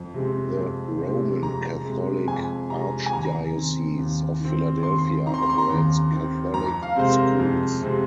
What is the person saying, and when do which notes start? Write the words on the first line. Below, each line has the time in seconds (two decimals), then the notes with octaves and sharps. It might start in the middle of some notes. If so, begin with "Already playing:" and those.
The Roman Catholic Archdiocese of Philadelphia operates Catholic schools.
Already playing: F2
0.14 C3 G#3 C4
0.57 F2
1.00 C3 G#3 C4
1.42 F2 A#5
1.85 C3 G#3 C4
2.27 F2 G#5
2.70 C3 G#3 C4 A#5
3.06 G#5
3.12 D#2 A#5
3.56 D#3 C4
3.99 D#2
4.40 D#3 C4
4.83 D#2 C6
4.98 C6
5.27 D#3 A#5
5.30 C4 C6
5.43 A#5
5.50 C6
5.58 A#5
5.69 D#2
6.11 D#3 C4
6.54 F2 A#5
6.83 F5
6.96 C3 G#3 C4 C5
7.11 A#4
7.39 F2
7.82 C3 G#3 C4